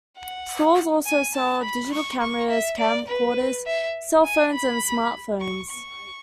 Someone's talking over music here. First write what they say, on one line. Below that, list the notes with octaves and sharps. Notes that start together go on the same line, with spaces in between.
Stores also sell digital cameras, camcorders, cell phones, and smartphones.
F#5
G#5
A5
B5
C#6
C#6
E5
D5
B4
E5
G#5
B5
C#6
C#6